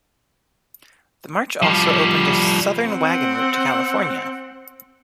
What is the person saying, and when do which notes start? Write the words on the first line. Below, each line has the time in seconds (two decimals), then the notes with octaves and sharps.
The march also opened a southern wagon route to California.
1.62 F3 G3
2.85 C4 F#5